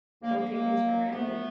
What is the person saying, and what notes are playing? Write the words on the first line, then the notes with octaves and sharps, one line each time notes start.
don't take things for granted.
D2 D3 F3 A#3
A#3
F#2 D#3 F#3 A#3
F#2 D#3 F#3
D2 C3 D#3 A3 B3